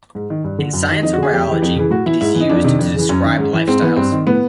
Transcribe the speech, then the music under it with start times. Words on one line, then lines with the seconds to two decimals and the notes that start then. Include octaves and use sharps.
In science or biology it is used to describe lifestyles.
0.15 G#2
0.30 D#3
0.44 G2
0.59 D3
0.73 F#2
0.89 D#3
1.03 F2 D#4
1.13 F#4
1.18 D3
1.23 G#4
1.32 F2 G4
1.48 C#3 E3
1.62 F2
1.76 C#3 E3
1.91 A2 F#4
2.06 E3 E4
2.21 G#2 E4
2.35 E3
2.40 D#4
2.49 F2 D4
2.64 C3 D#3
2.79 F2
2.94 C#3 E3
3.09 F#2 C#4
3.24 D#3
3.39 G#2
3.53 E3
3.68 G#2 C4
3.82 E3 B3
3.96 G2 C4
4.12 D#3
4.27 A2 B3